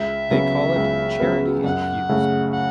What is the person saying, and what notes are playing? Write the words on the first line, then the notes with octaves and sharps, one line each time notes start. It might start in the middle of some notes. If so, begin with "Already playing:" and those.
They call it "charity infused."
Already playing: C#2 E5
C#3 F#3 B3
C#2
C#3 F#3 B3
F#2 F#5
C#3 A3
F#5